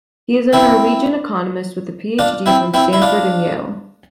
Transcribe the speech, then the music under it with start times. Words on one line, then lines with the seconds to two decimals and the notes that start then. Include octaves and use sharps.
He is a Norwegian economist, with a PhD from Stanford and Yale.
0.53 C4 E4
2.19 D4 F4
2.46 C4 E4
2.74 C4 E4
2.93 E4
3.02 D4 F4